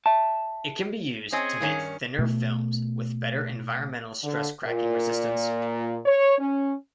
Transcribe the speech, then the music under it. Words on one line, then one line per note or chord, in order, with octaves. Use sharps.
It can be used to make thinner films, with better environmental stress cracking resistance.
E5 A5
C4 C#4 G#4 D#5
G2 D#3 C#4
B2 A3
D3
A#2
C#5
C#4